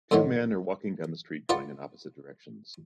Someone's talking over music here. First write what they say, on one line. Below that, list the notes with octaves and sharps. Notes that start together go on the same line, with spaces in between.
Two men are walking down the street going in opposite directions.
F2 A2 D3 D#3 F#3
F4 B4 D5 F#5